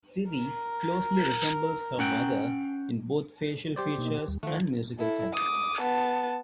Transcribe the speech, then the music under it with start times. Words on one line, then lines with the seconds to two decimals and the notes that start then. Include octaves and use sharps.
Siri closely resembles her mother in both facial features and musical talent.
0.31 A#4
1.99 C#4 F#5 G5
3.76 G4 C5 D5
3.98 B2 A#3 D#4
4.28 D#2 G3
4.43 D#3 F3 A3 F#5
4.99 E4 A4
5.34 D6 D#6
5.82 B3 A5